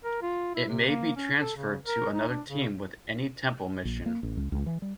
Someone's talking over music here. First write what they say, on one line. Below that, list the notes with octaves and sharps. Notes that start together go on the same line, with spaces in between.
It may be transferred to another team with any temple mission.
A#4
F4
E4
C3
A#3
C#4
A4
C#3
A#4
D#4
D4
C#3
A#1
A#3
A1
C#2
C#2
E3
G3